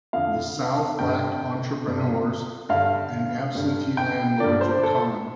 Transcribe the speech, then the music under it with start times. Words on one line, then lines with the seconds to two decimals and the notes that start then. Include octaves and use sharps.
The south lacked entrepreneurs, and absentee landlords were common.
0.13 F2 D3 F5
0.99 G2 D3 G5
1.84 G2 D3
2.69 G2 D3 F5
3.55 G2 D3
3.97 G5
4.40 G2 D3 D5
4.61 C5
4.83 A4